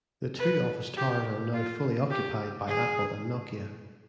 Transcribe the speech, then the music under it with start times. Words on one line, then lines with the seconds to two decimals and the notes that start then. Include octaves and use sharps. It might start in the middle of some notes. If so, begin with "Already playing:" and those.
The two office towers are now fully occupied by Apple and Nokia.
0.40 B4
0.97 G4
1.54 F4
2.10 G4
2.67 G#4